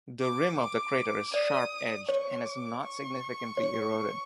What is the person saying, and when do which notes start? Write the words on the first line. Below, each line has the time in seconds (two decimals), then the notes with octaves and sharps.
The rim of the crater is sharp-edged, and is not significantly eroded.
0.21 D6
0.58 D6
1.33 D5 D#6
2.08 C#5 C#6
2.45 D6
2.83 C#6
3.57 C#5